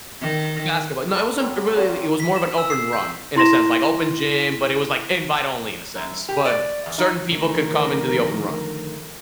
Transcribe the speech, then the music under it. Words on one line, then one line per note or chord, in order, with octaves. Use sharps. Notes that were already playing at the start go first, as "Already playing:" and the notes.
Basketball no, it wasn't it really it was more of an open run, in a sense, like open gym, but it was, like, invite only in a sense, but certain people could come into the open run.
D#3
A4 D5 B5
F#3 C4
F3 F#3 C4 F#4
B6
E7
E6
C7
G6
E4 C6 A#6 E7
F#2
G4
D5
E2
D#4
D3 D#3 F3 A3 A#4